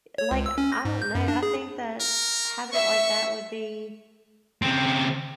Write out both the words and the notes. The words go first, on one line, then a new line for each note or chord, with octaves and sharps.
I Like, I don't know, I think that having it like that would be
C#5
C#2
E6
C#4
A#6
G#2
G6
F#2
D4
G#4
A#4
E5 C#6
C#3 C4